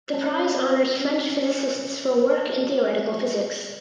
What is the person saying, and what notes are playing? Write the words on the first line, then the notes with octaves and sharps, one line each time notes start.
The prize honors French physicists for work in theoretical physics.
C#4
C4
C#4